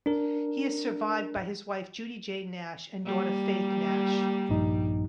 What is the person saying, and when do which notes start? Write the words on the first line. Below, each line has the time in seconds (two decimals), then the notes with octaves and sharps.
He is survived by his wife, Judy Jae' Nash and daughter Phaith Nash.
0.06 D4 A#4
3.05 G3 A#3
4.49 A#1 G2 D#4